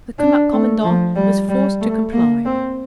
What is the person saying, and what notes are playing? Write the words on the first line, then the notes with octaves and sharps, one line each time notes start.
The commandant was forced to comply.
D4
A3
F3
G3
G3
A3
A#3
C4